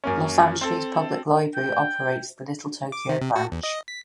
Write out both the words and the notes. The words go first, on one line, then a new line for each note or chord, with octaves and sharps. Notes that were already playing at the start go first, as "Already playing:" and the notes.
Los Angeles Public Library operates the Little Tokyo Branch.
F#2 A#3 C#4
C4 A4
G5
D6
D#3
C3
F#4
E2
D#5
B6